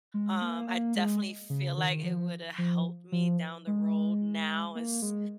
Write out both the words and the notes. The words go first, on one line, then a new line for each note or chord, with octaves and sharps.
um, I definitely feel like it woulda helped me down the road now as,
G#3
A#3
A#3
G#3
C#3
D#3
F3
F3
F3
G#3
A#3
G#3